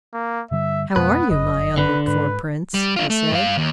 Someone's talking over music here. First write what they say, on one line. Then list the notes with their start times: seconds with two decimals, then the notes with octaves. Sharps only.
'How are you my unlooked-for Prince?' he said.
0.14 A#3
0.51 G2 D3 G3 E5
0.96 F2 B2 G#3 B3 B4
1.30 G1 F#2 D#5
1.78 D3 B4
2.07 G#2 B4
2.74 G3
2.96 D4 F4
3.10 A3
3.31 G2 F5
3.58 D#2